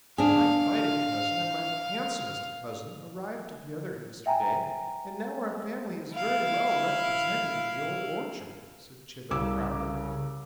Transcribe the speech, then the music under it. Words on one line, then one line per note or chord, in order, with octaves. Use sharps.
"My fighting cousin and my handsomest cousin arrived together yesterday, and now our family is very well represented in the Old Orchard," said Chebec proudly.
D4 G#4 F5
E5 G5 G#5 A#5
E4 F5
C2 C#3 D6 E6